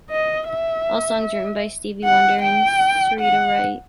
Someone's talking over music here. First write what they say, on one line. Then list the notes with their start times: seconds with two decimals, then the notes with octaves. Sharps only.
All songs written by Stevie Wonder and Syreeta Wright.
0.10 D#5
0.49 E5
2.05 F#5
2.43 G5
3.20 F#5